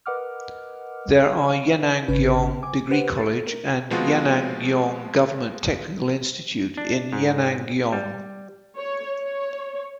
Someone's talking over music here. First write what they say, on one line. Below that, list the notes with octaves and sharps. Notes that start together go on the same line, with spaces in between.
There are Yenangyaung Degree College and Yenangyaung Government Technical Institute in Yenangyaung.
A#4 B4 D#5 F#5 D6 F6
F5
G#1 C#3 C#4 B4
G#5 D6
G4 B4 C5 F#5
A6
A#4
F3 G#3 B3 C4 F4 F#4
D4
G#2
G3
C#5
C#5